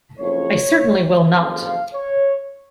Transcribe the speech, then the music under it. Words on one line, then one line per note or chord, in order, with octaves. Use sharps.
I certainly will not!
F#1 F2 C#3 C#5
F#1 F2 C#3 F3
F5
C#5